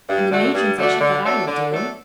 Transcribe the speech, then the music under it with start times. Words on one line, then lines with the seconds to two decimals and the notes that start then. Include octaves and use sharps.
And the matron said she thought I would do.
0.08 G2
0.31 D3 A3 D4 F#4
0.54 G2
0.78 D3 A3 D4 F#4
1.01 D3
1.25 F#3 A3 D4 A4
1.47 D3
1.71 F#3 A3 D4 A4